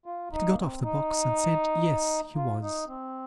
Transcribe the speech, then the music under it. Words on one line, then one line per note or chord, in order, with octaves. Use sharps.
Kit got off the box, and said yes, he was.
F4
D#4
A#3
C4
D#4
F4
D#4
C4